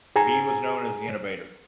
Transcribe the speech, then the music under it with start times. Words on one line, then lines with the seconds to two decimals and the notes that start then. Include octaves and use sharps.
Bee was known as the "Innovator".
0.16 G#4 G#5 A#5